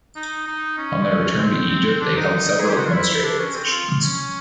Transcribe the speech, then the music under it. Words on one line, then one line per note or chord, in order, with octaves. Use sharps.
On their return to Egypt they held several administrative positions.
D#4
D#4
C#4
C4
C4
C4
D4
D#4
G#4
G4
F#4
F4
E4
E4
D4
C#4
C4
F4
C#4